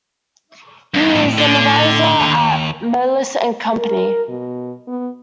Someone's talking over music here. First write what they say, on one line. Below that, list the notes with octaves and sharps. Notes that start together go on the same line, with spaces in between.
He is an advisor at Moelis and Company.
E2 G2
A2
D3
D#2
A#4
B2
B3